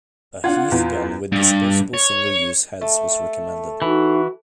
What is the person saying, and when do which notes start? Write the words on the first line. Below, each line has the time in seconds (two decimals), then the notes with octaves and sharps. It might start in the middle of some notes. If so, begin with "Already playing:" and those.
A Heaf gun with disposable single-use heads was recommended.
0.44 D4 F4 F#5 G#6
0.71 E2
1.32 G2
1.94 C#5
2.81 A3
3.82 E3 D#4 F#4